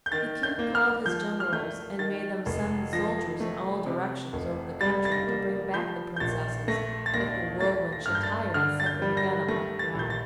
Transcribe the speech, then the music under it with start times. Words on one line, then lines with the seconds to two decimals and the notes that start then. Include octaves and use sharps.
The King called his generals, and made them send the soldiers in all directions over the country to bring back the princesses, if the whirlwind should tire and set them again upon the ground.
0.06 G6
0.12 D#3 A6
0.43 G6
0.59 A#3
0.75 F6
1.05 F3 G6
1.40 F6
1.53 A3 G6
1.99 D#3 A6
2.46 F1
2.93 F3 A#6
3.40 A3
3.86 C3
4.33 F1
4.81 G3 A6
5.05 A6
5.12 A#6
5.28 A#3
5.74 F3 G6
6.16 G6
6.20 A#1 A6
6.68 A3 A#6
7.06 A6
7.14 D#2 A#6
7.60 A3 A6
7.92 A#6
8.06 G2 F6
8.15 G6
8.23 A6
8.54 D3 F6
8.80 A6
8.86 G6
9.02 G3
9.17 A#6
9.48 A3 A#6
9.79 A6
9.95 A#1 G6
10.10 A6